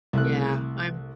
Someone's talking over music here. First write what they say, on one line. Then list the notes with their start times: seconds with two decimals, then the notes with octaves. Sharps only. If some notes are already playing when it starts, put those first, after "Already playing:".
Yeah. I'm
0.13 C2 A3 F#6